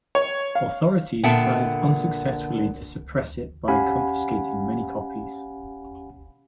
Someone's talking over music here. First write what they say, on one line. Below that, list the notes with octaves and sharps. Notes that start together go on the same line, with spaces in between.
Authorities tried unsuccessfully to suppress it by confiscating many copies.
C#5
F5
A#2 D3 B3 E5 G5 A5
C#4 G4 F5 F#5 G#5 B5